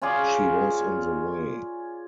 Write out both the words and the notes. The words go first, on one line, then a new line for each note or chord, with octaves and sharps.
She was in the way.
C#4 F4 G#4 D5